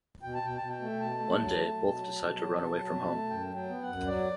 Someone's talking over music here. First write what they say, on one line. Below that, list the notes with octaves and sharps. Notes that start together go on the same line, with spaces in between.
One day both decide to run away from home.
B2 G5
A5
B2 G5
B2 A5
G5
A3
B2 A5
A3
F#3
A3
B2
F#3
B2
F#3
B2
F#3
B2
A3
F#2 G5
F#3
G5
B3
F#5
F#2
F#3 D5